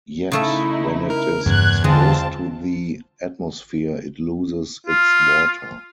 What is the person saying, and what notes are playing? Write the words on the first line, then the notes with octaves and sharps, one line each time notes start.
Yet when it is exposed to the atmosphere it loses its water.
C#3 A3 D#4 E4 A4
A#4
E2 G2 C#3 F#6 G#6
D3 G#3 C4 F4 A5
F4